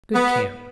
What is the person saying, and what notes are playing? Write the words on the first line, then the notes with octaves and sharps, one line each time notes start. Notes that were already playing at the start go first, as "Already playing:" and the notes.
Good camp.
B3